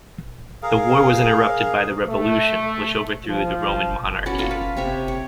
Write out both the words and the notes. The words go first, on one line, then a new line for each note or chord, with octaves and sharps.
The war was interrupted by the revolution which overthrew the Roman monarchy.
G#4 A#4 F5
A3
F3
C#4 F#4 B4 D5
F4 A4 A#4 F5
B4
C3 C#5 E5
C#5